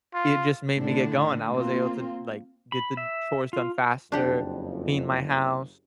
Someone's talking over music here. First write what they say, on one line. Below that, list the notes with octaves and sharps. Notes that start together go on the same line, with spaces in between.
it just made me get going, I was able to d like, get the chores done faster, clean my house,
F4
A2 D3 D4
A#3 C4 F4
B5
E5
F4
F#1 F2 D4 G4 F#5